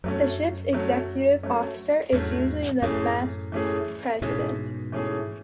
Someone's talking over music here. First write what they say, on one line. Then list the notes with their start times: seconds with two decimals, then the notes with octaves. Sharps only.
The ship's executive officer is usually the "mess president".
0.04 F#2 F#3 A3 C#4
0.73 F#3 A3 C#4
1.43 F#3 A3 C#4
2.12 E2 G#2 F#3 A3 C#4
2.82 F#2 A2 E3 A3 C#4 G#4
3.52 E3 A3 C#4 G#4
4.22 G#2 B2 E3 A3 C#4 G#4
4.92 E3 A3 C#4 G#4